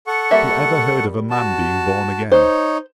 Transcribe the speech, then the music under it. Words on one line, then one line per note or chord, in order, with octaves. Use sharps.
Who ever heard of a man being born again?
A4 F#5 C#6
G3 A#3 E5
F#4 A5
D#4 C5 C#5